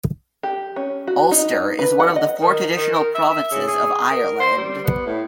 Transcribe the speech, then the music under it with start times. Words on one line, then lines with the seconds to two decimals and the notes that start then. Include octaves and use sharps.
Ulster is one of the four traditional provinces of Ireland.
0.43 G4
0.76 C#4
1.07 F#4
1.31 D#4
1.79 B4
2.00 F#5
2.16 D#5
2.41 D#3
2.76 D#3
2.94 A#4
3.15 E5
3.31 E5
3.51 C#3
3.68 G#4
4.10 A#4
4.40 C5
4.57 G3
4.84 B3
5.06 A2